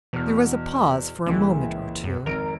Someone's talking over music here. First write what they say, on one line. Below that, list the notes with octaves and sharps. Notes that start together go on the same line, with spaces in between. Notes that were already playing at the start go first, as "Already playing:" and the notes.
There was a pause for a moment or two.
E2 B2 F6
C#2 A#2 C#3 E3
F#2
G#1 F2 A#4 D7